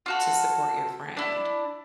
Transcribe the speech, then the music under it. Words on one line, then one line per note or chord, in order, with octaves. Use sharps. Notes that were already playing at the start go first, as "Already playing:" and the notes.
to support your friend.
F4 F#4 A4
D4 E4